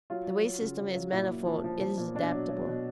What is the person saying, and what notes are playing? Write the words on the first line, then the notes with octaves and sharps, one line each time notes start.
The wage system is manifold, it is adaptable.
F#3 F4
F#3
F#3
C#3
C#3
F#3
A#2 E4
A#2
F3
F3
F3
A#2
B2 D4
F#3
F#3
B2